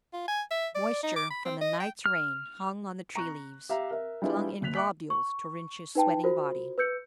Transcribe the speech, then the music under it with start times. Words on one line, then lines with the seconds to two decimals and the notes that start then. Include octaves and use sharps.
Moisture from the night's rain hung on the tree leaves, clung in globules to Rynch's sweating body.
0.13 F4
0.28 G#5
0.51 E5
0.75 D5
1.03 D#4
1.16 D6
1.30 B5
1.45 C4
1.61 D#5
1.80 G5
2.06 F6
3.15 A#5 C#6 F#6
3.69 G4 E5 F5 A#5
3.91 A#4 E5
4.22 G3 B3 D4 E4 F4 G#4
4.61 F#1 D2 F#6 B6 F7
4.75 E5 C#6 D6 F#6 B6
5.10 C#6
5.95 D#4 B4 G5 A5
6.24 F4 F#4 A#4 C5
6.78 B4 E6 G6 C#7